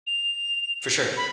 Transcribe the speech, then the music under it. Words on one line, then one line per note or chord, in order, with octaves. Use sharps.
For sure.
F7
B5